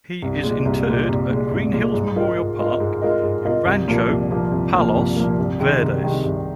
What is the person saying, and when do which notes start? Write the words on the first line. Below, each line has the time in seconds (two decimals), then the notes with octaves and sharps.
He is interred at Green Hills Memorial Park in Rancho Palos Verdes.
0.23 C2
0.44 A#2 G#3
0.65 C2
0.86 A#2 G#3
1.09 C2
1.30 A#2 G#3
1.52 C2
1.73 A#2 G#3
1.94 G#2
2.16 G#3 F4 A#4 D#5
2.37 G#2
2.59 G#3 F4 A#4 D#5
2.80 G#2
3.02 G#3 F4 A#4 D#5
3.23 G#2
3.45 G#3 F4 A#4 D#5
3.66 C2
3.88 A#2 F3 A#3
4.09 C2
4.31 A#2 F3 A#3
4.52 C2
4.73 A#2 F3 A#3
4.96 C2
5.16 A#2 F3 A#3
5.39 C2
5.60 C3 D#3 G#3
5.81 C2
6.03 C3 D#3 G#3
6.24 C2